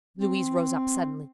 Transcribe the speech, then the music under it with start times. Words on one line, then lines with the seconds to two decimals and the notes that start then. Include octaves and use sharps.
Louise rose up suddenly.
0.18 C4